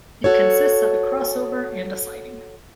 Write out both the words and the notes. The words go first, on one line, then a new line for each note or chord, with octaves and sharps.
It consists of a crossover and a siding.
F#4 A4 C#5